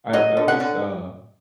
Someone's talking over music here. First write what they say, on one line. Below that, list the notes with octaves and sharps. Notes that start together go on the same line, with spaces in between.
I at least, uh,
F#3 D#5
D3
F#5
D3